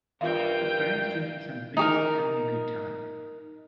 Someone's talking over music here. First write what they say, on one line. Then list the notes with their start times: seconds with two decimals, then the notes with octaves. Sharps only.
Two friends drinking some beers and having a good time.
0.21 E2 G2 F4 A#4 E5 F5 G5
1.77 D#4 G4 A#4